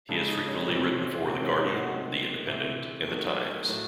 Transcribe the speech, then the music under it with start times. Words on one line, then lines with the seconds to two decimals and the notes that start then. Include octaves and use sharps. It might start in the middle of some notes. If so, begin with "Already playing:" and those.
He has frequently written for "The Guardian", "The Independent" and "The Times".
0.09 C#3 G#3 A4
0.28 D#4
0.48 C#4
0.68 C3 E3 A3 C4
0.89 C#4
1.08 C#4
1.28 C3 D#3 G#3 C4
1.43 C#4
1.58 D#4
1.73 F#4
1.87 C3 D#3 F#3 A3
2.47 C3 E3 A3 E4
3.07 D#3 F#3 A3
3.67 A2 F#3 A3